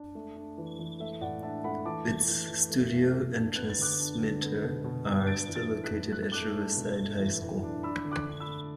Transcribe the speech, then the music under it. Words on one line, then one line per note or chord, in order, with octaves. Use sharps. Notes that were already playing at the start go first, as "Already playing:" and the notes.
Its studio and transmitter are still located at Riverside High School.
Already playing: D4
A3
D4
E3
E3
A3 E5
A2 D5 F#5
D4 E5 A5
A3 F#5 B5
E3 A5 D6
E3
E3
E3
A3
A3
A3
D4
B3 F#6
A6
D3 D6 F#6
D4
D3
B3
B2
B2
B3
D4 A6 D7
E3
A6 D7
A2
F#6 B6
A2
D4 F#6
A6
A3 D6 F#6
D4
B2
A3
E3
A2
D4
D4 B5 E6
D3
D6 F#6
D3
B5 E6
A3